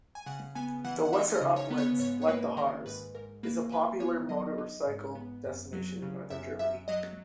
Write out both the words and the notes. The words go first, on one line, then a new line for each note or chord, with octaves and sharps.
The Weser Uplands, like the Harz, is a popular motorcycle destination in northern Germany.
G#5
C#3 F#5
B3 G#5
E3 F#5
F#5
D#4 E5
D#5
C#3
C#5
B3
C#5
G#2 C#5
C#5
A#3 B4
D#3 A#4
G#2 B4
G#2 A#4
A#3 B4
G#2 B4
B3 C#5
F#3 D#5
D#4
G#2
B3
F#2
F#3
C#3
F#2 E5
F#2 E5
F#3 D#5